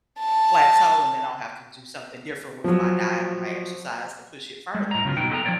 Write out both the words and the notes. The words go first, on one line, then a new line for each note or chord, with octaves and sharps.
plateau, and then I'll have to do something different with my diet or my exercise to push it further.
A5
F3 F#3
G3 G#3
A2 A#5
C#3 F#3 B3 F4
B2 F#3 D#4 G5
A3 B3 A4 B4 G5 A#5
F3 A3 C#5 D5 G5